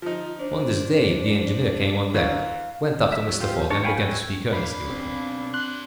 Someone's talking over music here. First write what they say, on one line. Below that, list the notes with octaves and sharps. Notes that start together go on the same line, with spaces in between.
On this day the engineer came on deck, went up to Mr. Fogg, and began to speak earnestly with him.
F3 D#4 F4
D4 C5
F#2 E3 F5
E5
F#3
F4 G4 C5
D4 A#4 C#5 A5
C#5 F5 G5 G#5 B5
F#4 E5 G5 G#5
B1 D4 F5 B5
C4
G2 C6 F#6